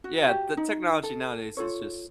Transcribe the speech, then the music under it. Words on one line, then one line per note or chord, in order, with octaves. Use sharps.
Yeah, the technology, nowadays, is just
F#4
F#4 G4
D#4
A4
F4 A4 C#5